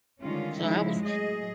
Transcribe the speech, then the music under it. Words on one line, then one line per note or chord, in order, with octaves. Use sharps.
So I was
D3 D#3 G3 G#3 C#4 F4
C#3 F3 G#3 D#4 E4
A2 F#3 G#4 D#5